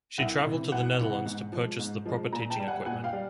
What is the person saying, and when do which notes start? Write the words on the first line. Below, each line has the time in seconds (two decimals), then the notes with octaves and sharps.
She travelled to the Netherlands to purchase the proper teaching equipment.
0.18 C2 E5 F#5
0.45 C3 E3
0.72 C2 F#5 G#5
0.99 C3 E3
1.26 G#2
1.52 F3 G#3
1.79 G#2
2.06 F3 G#3
2.33 A#2 G#5 A#5
2.50 G5 A5
2.59 G3
2.68 F#5 G#5
2.86 A#2 F#5 G#5
3.04 F5 G5
3.13 G3